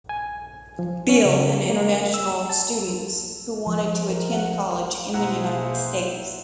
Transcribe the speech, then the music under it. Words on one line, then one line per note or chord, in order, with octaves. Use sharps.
Bill, and international students who wanted to attend college in the United States.
G#5
F3
C#4
C#3
A#3
E6
A5
F3
A#4
F#5
B2 A#3 E4 G#4 C5 F#5 A#5